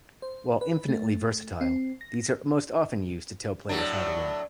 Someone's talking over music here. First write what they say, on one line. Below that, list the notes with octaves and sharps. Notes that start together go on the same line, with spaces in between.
While infinitely versatile, these are most often used to tell players how to win.
C5
B4
A3
C4
A#6
A2 F#3 D4